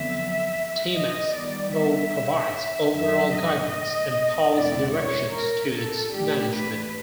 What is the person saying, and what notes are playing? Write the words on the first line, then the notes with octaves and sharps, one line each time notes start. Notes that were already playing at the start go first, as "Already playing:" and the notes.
Temasek's Board provides overall guidance and policy directions to its management.
Already playing: F2 D3 F#3 B3 E5
D#5
D#3 G3 B3 D5
E5
F2 D3 F#3 E5
D#5
E2 B2 G#3 C4 E4 D5
C#5
A#4
A4
A2 E3 A3 D4 G4
B4